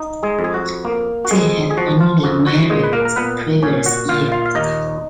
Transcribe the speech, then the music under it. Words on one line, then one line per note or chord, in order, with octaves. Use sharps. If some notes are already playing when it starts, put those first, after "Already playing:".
They had only married the previous year.
Already playing: D#4
G#3 G#4
F2
G#4
F#4
A#3
F#4
F2 G#3 G#4
G#4
F3 F#4
F4
F2 F#4
F#4
A#2 G#3 G#4
B4
A#3 A#4
A#4
A#2 B3 B4
A#2 C#4 C#5
F#4 F#5
A#2 F4 F5
F4 F5
F5
D#2 D#4 D#5